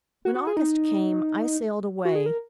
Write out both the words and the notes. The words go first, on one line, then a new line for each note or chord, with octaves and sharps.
When August came I sailed away.
F#4
F#4
G#4
D#4
F#4
G#4
A#4